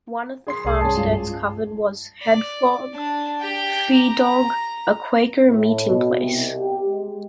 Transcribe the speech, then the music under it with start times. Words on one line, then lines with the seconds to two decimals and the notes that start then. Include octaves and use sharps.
One of the farmsteads covered was Hafod Fadog, a Quaker meeting place.
0.47 G#4 C6 C7
0.65 C2 G#4 D5
0.81 G2 C#4 A5
0.95 G#3 F4
2.22 D5
2.94 D4 A5
3.41 G4 G5
3.92 A#5
5.47 A2
5.86 B2
6.19 C2
6.55 G4
6.87 G#3